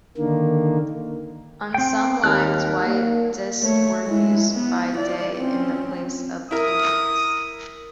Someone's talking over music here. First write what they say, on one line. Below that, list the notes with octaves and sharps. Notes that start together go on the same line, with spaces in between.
On some lines white discs were used by day in the place of lamps.
D3 D#3 A#3
C4 G5
D#2 A#4 A5 F#6
A#3
A3 C#5
G#3 E4
B3
E4 D5
C4 C#4
E4 A#4 D#6